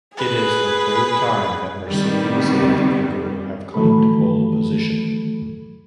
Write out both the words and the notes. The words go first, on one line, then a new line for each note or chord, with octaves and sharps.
It is the third time that Mercedes and Engel have claimed pole position.
G#4 B4
C3 D#3 G3 B3
D#3 E3 F#3 A3 A4 B5